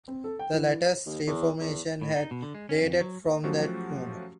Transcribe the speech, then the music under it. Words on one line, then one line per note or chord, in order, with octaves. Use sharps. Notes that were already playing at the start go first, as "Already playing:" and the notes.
The latter's reformation had dated from that moment.
C4
A4
G5
E3
D#2
E2
E2
A2
D#4
B2
D3
G#3
C#4
F2
F#3
F3 F#3 A3 C#4 F#4 G4